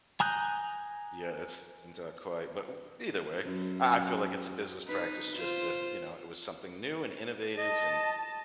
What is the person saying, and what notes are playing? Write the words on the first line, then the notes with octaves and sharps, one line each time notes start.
Yeah, it's not quite, but, either way, I I feel, like, it's a business practice just to, you know, it was something new and innovative and
G#5 A#5 D#6 F#6 G6
F#2
D#4 B4
F4 C5
D#5 A5